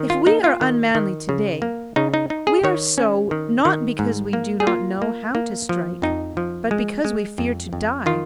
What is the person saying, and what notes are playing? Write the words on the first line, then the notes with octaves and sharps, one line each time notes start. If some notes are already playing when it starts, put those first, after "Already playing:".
If we are unmanly today, we are so, not because we do not know how to strike, but because we fear to die.
Already playing: D#3
F4
A#3 D#4
F4
D#3
D#3
C#3
A#3
C#3 D#4
D#4
D#4
G#4
D#3 C#5
C#4
D#3
D#3
G#2
A#3
G#4
A#3 F4
A#3
A#3
F3
F2 D#4
F3
G#3
G#3
F2
F2
D#3 F4